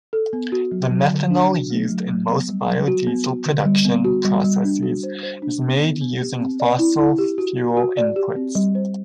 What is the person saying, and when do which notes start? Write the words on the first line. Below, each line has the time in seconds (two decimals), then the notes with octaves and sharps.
The methanol used in most biodiesel production processes is made using fossil fuel inputs.
0.13 A4
0.33 B3
0.52 F#4
0.72 F#3
0.91 F#3
1.11 D3
1.31 D4
1.50 F#4
1.70 A3
1.89 F#3
2.09 F#3
2.28 B3
2.48 G3
2.68 F#3
2.88 F#4
3.07 B3
3.27 F#4
3.46 D3
3.66 G3
3.85 B3
4.05 F#4
4.25 G3
4.44 G3
4.64 D4
4.83 F#4
5.03 C5
5.23 C5
5.42 D4
5.62 B3
5.82 B3
6.01 B3
6.21 G4
6.40 C4
6.60 D5
6.79 E4
6.99 E4
7.18 G4
7.38 F#4
7.57 F#4
7.77 F#4
7.97 D5
8.16 G4
8.36 C4
8.55 G3
8.75 C5